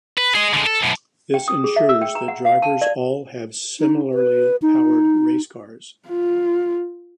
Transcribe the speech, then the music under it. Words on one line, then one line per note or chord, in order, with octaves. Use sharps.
This ensures that drivers all have similarly powered racecars.
B4
G#4 D#5
D3 G#3
A4
F#2 B2
G5
D#6
G#4
E5
E6
G5
A#5
F#5
F5
A5
D5
D#4
B4
D#4
F4